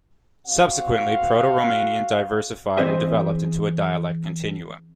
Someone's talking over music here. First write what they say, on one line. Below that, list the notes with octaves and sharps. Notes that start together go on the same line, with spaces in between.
Subsequently Proto-Romanian diversified and developed into a dialect continuum.
C4 F#4 F5
E3 C4 G#4 C5 D#5 E5